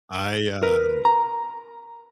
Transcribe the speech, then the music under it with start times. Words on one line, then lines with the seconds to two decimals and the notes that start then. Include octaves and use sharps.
I, um
0.63 A#4 B4
1.05 A#5